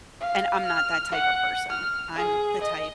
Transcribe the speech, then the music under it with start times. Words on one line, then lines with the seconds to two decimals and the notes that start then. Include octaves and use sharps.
and I'm not that type of person. I'm the type
0.20 F5
0.65 F6
1.12 F#5
1.69 F6
2.15 G#4
2.61 D#5